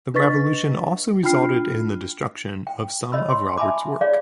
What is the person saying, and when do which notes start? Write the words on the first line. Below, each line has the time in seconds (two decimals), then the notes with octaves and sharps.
The Revolution also resulted in the destruction of some of Robert's work.
0.14 D4 B4 D#5 C#6 A6 B6
1.23 D4 F4 G5 B5 F6 C7
2.67 G5
3.12 C#5 D#5 B5 E6
3.29 C6
3.57 E5 G#5 A5 B5 D6
4.01 G#4 C#5 D5 F5